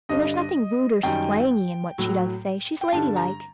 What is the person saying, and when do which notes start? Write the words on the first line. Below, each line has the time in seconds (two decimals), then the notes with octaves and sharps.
And there's nothing rude or slangy in what she does say. She's ladylike.
0.09 G2 D3 G3 D#5
1.03 F#2 D#3 G3 G5
1.98 A2 F#3
2.81 G5
2.92 G2 D3 G3 A5
3.16 A#5